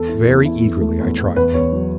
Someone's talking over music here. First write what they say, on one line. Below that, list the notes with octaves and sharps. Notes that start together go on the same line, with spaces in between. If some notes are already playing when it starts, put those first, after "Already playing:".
Very eagerly I tried them.
Already playing: E2 A4
E4
E2
E4
E2
A3
E2
E2
E2 B4
E2 C#5
F#3